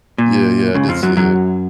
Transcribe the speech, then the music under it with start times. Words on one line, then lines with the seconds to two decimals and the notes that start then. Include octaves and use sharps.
Yeah, yeah, I did see it.
0.18 A#2
0.75 C#2 C#3
0.88 F2 F3
1.03 F#2 F#3
1.17 F#2 F#3